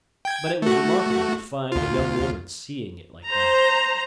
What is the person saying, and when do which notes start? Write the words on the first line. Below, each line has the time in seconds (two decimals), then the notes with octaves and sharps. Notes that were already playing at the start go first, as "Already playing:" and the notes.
But it was remarkable to find a young woman seeing it like that.
0.25 G5 G#6
0.62 A3 F#4
1.72 D2 F4
3.26 C5 A#5